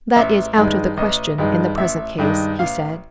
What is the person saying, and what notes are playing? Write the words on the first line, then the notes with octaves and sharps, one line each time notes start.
"That is out of the question in the present case," he said.
A1 E5
G2 D#3 G#3
A1 D#5
G2 D#3 G#3
A1 E5
G2 D#3 G#3
A1 F5